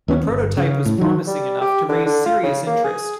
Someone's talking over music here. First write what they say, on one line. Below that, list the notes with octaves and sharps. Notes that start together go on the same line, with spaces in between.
The prototype was promising enough to raise serious interest.
D#2 B3 C#4
G1
C#3
A2
D#3 F#3
G3
G4
D3
D3
F4
C#3
A#3
G#4